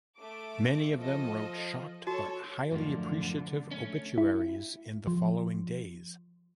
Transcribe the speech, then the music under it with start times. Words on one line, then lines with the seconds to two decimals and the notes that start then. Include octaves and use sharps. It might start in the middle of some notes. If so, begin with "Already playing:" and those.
Many of them wrote shocked but highly appreciative obituaries in the following days.
0.17 A3 D6
0.97 F3 A4 D#5
2.07 F#4 A4 C#5 A5
2.72 F#2 A2 D3 F3
3.71 A3 C#4
4.18 E4
5.07 F3